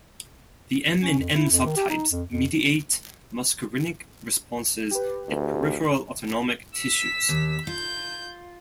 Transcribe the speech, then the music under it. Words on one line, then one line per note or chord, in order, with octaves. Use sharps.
The M and M subtypes mediate muscarinic responses at peripheral autonomic tissues.
C#4
F2
E4
F2
D#3
G4
D#4
F2
F2
G4 B4
D2
E6 B6
D#2
F4 G6